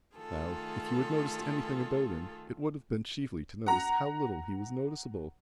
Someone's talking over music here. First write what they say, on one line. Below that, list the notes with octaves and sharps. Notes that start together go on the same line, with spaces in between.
Now if you had noticed anything about him, it would have been chiefly to notice how little he was noticeable.
D#3 A3 F4 G#4 A4
F#5 A#5